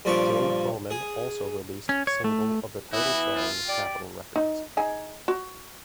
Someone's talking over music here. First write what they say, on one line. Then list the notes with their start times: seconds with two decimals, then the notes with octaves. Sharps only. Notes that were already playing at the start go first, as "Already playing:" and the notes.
Jane Froman also released a single of the title song with Capital records.
0.05 G2 A#2 F3 D5 C#6 D6
0.90 G#4
1.89 C#4
2.07 C#5
2.24 A3
2.92 E3 B3 E4 F#4
3.36 F4
3.67 G4 D5
4.36 D#4
4.77 D#4 G#4 G#5
5.28 F#4